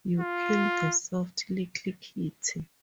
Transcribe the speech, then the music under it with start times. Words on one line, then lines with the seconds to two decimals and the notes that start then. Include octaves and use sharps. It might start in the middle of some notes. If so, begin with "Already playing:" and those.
You killed the soft little kitty.
0.20 F4